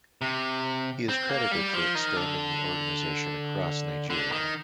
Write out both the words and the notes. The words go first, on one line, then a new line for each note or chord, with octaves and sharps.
He is credited for expanding the organisation across Nigeria.
C3
C4
A#3
G3
F3
D#3
D3
D3
D#3